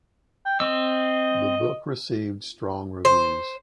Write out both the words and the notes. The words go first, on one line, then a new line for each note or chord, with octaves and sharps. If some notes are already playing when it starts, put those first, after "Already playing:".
The book received strong reviews.
G5
C4 D#5 E6
C5